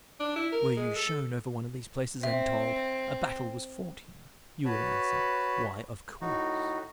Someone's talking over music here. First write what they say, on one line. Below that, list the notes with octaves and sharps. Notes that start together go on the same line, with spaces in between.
Were you shown over one of these places, and told, "A battle was fought here," you would answer, "Why, of course!"
D4
E4
A#4
G#3
A4
C4 E5
F#4 B4 C#5 A5 B5
A2 D#4 F#4